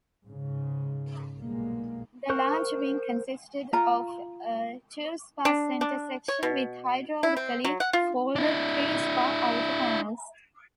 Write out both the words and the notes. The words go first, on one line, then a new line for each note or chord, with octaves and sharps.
The large wing consisted of a two-spar center section with hydraulically-folded three-spar outer panels.
G#2 C#3
B1 A#2 G3 G#3 A#3
A#4 C5 C#6 F#6
F4 A#5
D4
D4
C#5
B2
E4
C4
F#3
F#5
F4
D4 E4